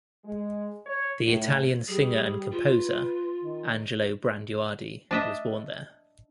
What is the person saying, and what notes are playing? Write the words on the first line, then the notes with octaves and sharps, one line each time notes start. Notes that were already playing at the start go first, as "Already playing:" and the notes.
The Italian singer and composer Angelo Branduardi was born there.
G#3
C#5
A2
G3 G#4
F4 B4
D#3
D4 D#5 E5